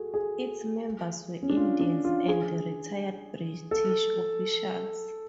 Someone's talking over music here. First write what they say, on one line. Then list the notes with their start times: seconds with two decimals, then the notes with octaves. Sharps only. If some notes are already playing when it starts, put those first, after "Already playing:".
Its members were Indians and retired British officials.
Already playing: F#4 G#4 A4
0.14 G#4
1.43 C#4
1.50 D4
1.57 F4
1.81 D4
2.05 F4
2.28 G#4
3.71 A4